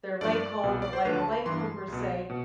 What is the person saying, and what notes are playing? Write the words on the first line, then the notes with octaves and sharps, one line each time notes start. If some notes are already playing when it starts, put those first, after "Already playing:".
their lake home like a lake home per se,
G2 F3 D5
C2 B2
D5
C5
D2 D3 F3 B4
A5
B5
G2 E3 C6
C2 B2
B2